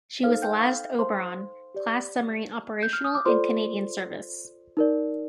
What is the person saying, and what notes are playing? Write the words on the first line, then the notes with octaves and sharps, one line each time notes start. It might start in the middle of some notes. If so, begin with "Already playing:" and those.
She was the last "Oberon"-class submarine operational in Canadian service.
D#4 A4 C5 F5 F6
G5 G6
F5 F6
C5 C6
G4 D5
G6
F6
D#6
D6
F4 A4 C5 D5 C6
D#4 A#4 D5